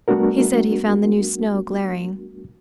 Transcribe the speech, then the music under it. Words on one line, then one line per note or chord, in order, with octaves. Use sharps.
He said he found the new snow glaring.
G3 A3 B3 D4 F#4 A#4